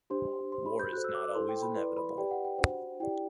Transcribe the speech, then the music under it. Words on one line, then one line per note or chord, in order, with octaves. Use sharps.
War is not always inevitable.
D4 G4 C5 C6
G4 C5 C6
B5
G6
F#4 A4 C5 F#6
E6
D6
E4 A4 C5 C6
G5
B5
E4 B4 D5 C6
B5
G4 B4 D5 G5
F#5
G5
D4 F#4 C5 F#5
E4 G4 D5 G5